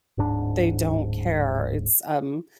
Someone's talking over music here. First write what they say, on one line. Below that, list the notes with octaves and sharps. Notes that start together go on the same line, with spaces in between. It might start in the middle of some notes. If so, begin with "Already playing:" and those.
they don't care. It's, um
D1 G#2 D4